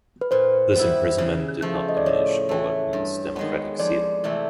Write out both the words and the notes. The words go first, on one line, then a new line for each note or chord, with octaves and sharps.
This imprisonment did not diminish Overton's democratic zeal.
B4
A#2 C5
G3 B3 E4
C#3
F3 A3
D#5
D5
A2 C#5
E3 A3
G2
D#3 G#3 B3
F2 D5
C3 E3 A3